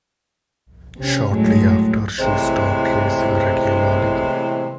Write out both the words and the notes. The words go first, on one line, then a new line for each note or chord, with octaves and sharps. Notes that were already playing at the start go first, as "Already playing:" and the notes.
Shortly after she stopped racing regularly.
C3 C#4
A2 F#3 G#3
A2 C3 E3 G#3 B3 C5